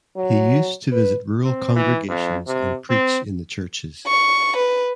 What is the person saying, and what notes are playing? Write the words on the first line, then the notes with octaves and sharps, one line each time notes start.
He used to visit rural congregations and preach in the Churches.
F#3
B4
C4
E3
F2
C3
C4
C#6
B4